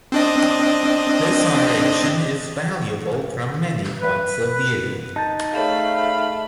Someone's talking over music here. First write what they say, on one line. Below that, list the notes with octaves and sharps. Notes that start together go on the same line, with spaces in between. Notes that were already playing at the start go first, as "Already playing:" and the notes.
This oration is valuable from many points of view.
C4 D4 D#5
B4
D#4 A5 G6 A6
A3 G#4 C#5 F5 B5